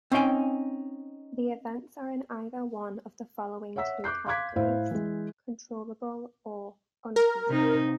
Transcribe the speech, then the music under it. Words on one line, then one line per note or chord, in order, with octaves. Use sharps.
The events are in either one of the following two categories controllable or uncontrollable.
C4 C#4 D#4 F5 G5 G#5
C#5 E5 F#5 E6 B6
D6 F#6 G6 C7
F5 C6 D6 F#6 G#6 B6
A2 E4 C5 F5
E3 G#3
A#4
C3 D#4